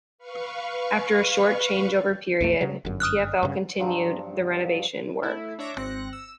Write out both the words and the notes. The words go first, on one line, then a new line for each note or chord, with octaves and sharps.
After a short changeover period, TfL continued the renovation work.
B4 F5 C#6
B1 F2 A3
C#3 F#3
G1 F#2
D#6 F6 F#6
G2 C#3
G2 F3 F#3
A3 E4
D4 C#5 E5 D6 A#6
G#1 C4 F#6 A#6 C#7
E6